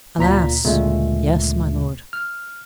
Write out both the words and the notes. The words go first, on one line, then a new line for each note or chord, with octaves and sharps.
"Alas! yes, my lord."
D2 A#2 A#5 B6
D2 A#2 C#3 G#3 A3
F6